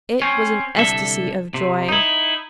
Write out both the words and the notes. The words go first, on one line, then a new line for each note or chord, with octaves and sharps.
It was an ecstasy of joy!
C4 C#4
C2 D3 A4 E5
C3
D#4 E4